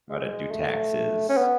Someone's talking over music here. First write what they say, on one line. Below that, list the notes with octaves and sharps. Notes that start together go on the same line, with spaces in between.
How to do taxes.
G#3
A3
C#4
B3